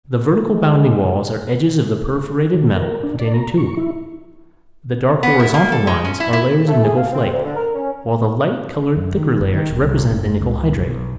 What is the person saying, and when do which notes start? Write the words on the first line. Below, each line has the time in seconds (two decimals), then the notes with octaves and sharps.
The vertical bounding walls are edges of the perforated metal containing tube; the dark horizontal lines are layers of nickel flake, while the light-colored thicker layers represent the nickel hydrate.
0.55 G#3
2.54 D#3
2.76 A#4
3.03 D4
3.19 D5
3.34 A#5
3.57 C#6
3.77 E4
5.23 B3
5.40 E4
5.54 A#3
5.72 A4
5.87 G#3
6.05 C#4
6.20 E4
6.33 E4
6.68 A3
6.84 G#4
6.97 F5
7.12 C4
7.33 D2
7.44 D3
7.56 A#4
7.75 C#4
8.97 F#2
9.17 D#3
9.40 F#1
9.54 D#3
9.70 D1
9.84 C2
10.11 F#1
10.40 C#2
10.78 B1